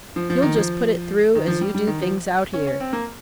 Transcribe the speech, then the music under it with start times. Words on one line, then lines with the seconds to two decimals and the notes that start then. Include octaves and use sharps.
You'll just put it through, as you do things out here.
0.16 F3
0.30 F3
0.42 D#3
0.56 F3
1.35 D#3
1.48 F3
1.61 G3
1.75 G3
1.87 D#3
2.01 F3
2.54 C#4
2.67 C#4
2.80 C4
2.93 A#3